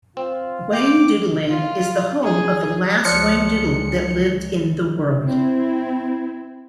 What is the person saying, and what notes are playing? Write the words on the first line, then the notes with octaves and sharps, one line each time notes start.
Whangdoodleland is the home of the last Whangdoodle that lived in the world.
C4 F4
G5 D6
F4
G#4
C#2 D#3 F3 G#3 C#5 D5 F#6 C#7
C4 E4